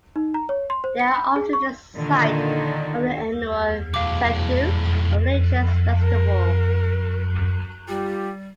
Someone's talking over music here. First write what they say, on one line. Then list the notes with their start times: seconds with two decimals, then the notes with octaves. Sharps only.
They are often the site of an annual "tsechu" or religious festival.
0.16 D#4
0.34 A#5
0.49 C#5
0.70 C6
0.84 C5
1.00 C#7
1.15 B5
1.36 G#4
1.53 C#6
1.94 A#2 D3 D#3
3.94 B1 A2 F5 D6
6.04 A#4
7.88 G3 F4 G4